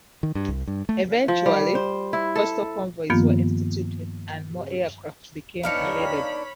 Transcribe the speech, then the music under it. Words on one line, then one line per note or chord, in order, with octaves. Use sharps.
Eventually, coastal convoys were instituted and more aircraft became available.
D#3
G2
C2
G2
A3
F3
G3
C5
E4
A4
G2 D#3 F3 A#3 B3 F4
B3 D4 D#4 C#5 F5 B5 F6 C#7